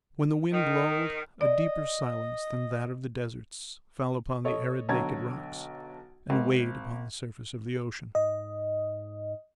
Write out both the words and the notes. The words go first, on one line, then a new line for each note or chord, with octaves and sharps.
When the wind lulled, a deeper silence than that of the deserts fell upon the arid, naked rocks, and weighed upon the surface of the ocean.
D#3
D5 D#5
A4 C#5 D#5
B1 D3 C#5 A5 A#5 G#6
G#1
G#2 D#5